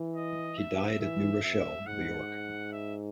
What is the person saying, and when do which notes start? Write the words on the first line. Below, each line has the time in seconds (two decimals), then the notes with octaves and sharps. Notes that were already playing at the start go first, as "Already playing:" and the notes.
He died at New Rochelle, New York.
Already playing: E3
0.16 D#5
0.58 E5
1.01 E3 E5
1.43 F#2 E5
1.86 G#2 F#5
2.72 E5